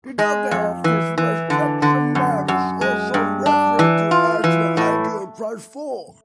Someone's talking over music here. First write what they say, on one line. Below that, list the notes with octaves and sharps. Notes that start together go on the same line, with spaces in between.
The target of this restriction map is also referred to as the ideal transform.
G#3
F2
E3
E3
D3
D3
F#2
F#2
G#3
G2
D4
E3
F4
E3
A2